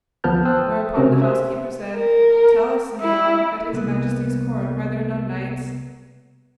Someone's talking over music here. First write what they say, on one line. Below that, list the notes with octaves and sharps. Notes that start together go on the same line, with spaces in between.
Whereupon the housekeeper said, "Tell us, senor, at his Majesty's court are there no knights?"
D2 F3 B3 A5 F6 G6
C5 G5 A5 D#6 E6 F#6
C3 C4 C#4 F#4 A#4
G4 C5 E5
A#4
E4
C2 A#3 B3